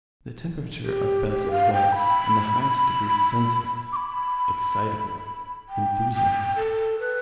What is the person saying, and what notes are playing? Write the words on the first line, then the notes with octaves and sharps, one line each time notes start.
The temperature of Bedloe was, in the highest degree sensitive, excitable, enthusiastic.
G4
G4
F5
G5
B5
D6
B5
G5
G5
A4
B4